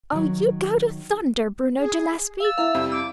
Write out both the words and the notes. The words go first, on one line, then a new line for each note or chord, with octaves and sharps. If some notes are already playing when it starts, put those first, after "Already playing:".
"Oh, you go to thunder, Bruno Gillespie!"
D#3 F#3
G#4
F5 E6 A6
E4 B4 E5 F5
F2 C3 G3
D6 E6